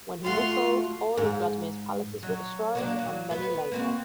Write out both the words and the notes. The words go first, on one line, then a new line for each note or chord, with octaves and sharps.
When he whistled all of Vladimir's palaces were destroyed and many lay dead.
A3 F4 F#4 F5 C6
G#2
F#3
F#3 A#3 D4
F#3
B3
A#3 C4 F#4